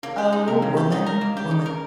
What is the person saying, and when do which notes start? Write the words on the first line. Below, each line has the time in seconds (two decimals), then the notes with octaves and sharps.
O Woman, Woman!
0.03 C#3 A#3
0.18 G4
0.33 D#4
0.47 C3 A#4
0.62 C#3 A#3
0.72 C3
0.77 C#3 G4
0.92 D#4
1.06 A#4
1.21 A#3
1.36 C#3 G4
1.51 D#4
1.66 A#4